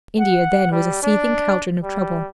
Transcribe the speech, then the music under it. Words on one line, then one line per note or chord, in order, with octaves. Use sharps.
India then was a seething caldron of trouble.
F#5
G3
D4
G3